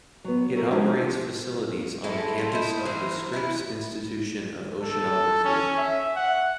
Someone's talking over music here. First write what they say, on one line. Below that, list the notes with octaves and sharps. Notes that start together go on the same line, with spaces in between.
It operates facilities on the campus of the Scripps Institution of Oceanography.
F#3 B3
F#4 A4 A#4
F3 G#3 C#4 D#4 G4
F2 F3
G#3 A3 E4 A4
A3 F4 F#4
D#4 E4 C5
E3 F#3 A#3 C5
E3 B3 E4
A4
C#4
E5
F#5